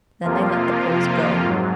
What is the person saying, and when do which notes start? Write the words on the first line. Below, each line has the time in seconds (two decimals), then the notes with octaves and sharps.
Then they let the Poles go.
0.23 F2 C3 F3 A#3 F4
1.44 G#2 F#3